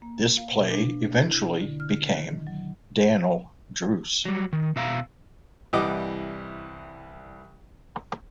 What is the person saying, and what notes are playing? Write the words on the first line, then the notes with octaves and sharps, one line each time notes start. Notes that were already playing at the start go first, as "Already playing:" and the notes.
This play eventually became "Dan'l Druce".
A#3
F5
B2
D4
E4
D3
F6
D#3
F#3
F#3 G3
D#3
B2 E5 F5 A#5
C2 E3 G3 D#5 F#5 D6